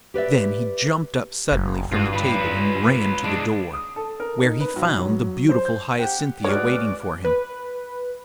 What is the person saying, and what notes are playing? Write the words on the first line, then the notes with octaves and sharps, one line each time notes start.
Then he jumped up suddenly from the table and ran to the door, where he found the beautiful Hyacinthia waiting for him.
G4 B4 D5 E5
F#1
G2 F4 F#4
F4 B4
G#3 D4
D#6
A4
A#4
D#4
B4
B1
F#3
C5
G6
G4 F#5 G5
G#3 F#4 B4 C#5 D5 F6
B4